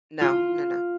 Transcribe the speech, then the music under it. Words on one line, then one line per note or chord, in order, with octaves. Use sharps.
No. No, no.
F4